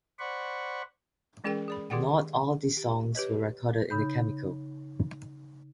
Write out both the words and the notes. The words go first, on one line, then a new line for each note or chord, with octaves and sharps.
Not all the songs were recorded in Chemical.
C5 D5 F#5 B5 C#6
E3 G#3 C#4 G#4 A#4 G5
G#4 D5 B5
D#3 G4 G#4 D5 F#5 G5
G4
G4 B4 C#5 D#5
C#3 D#4 B5 G6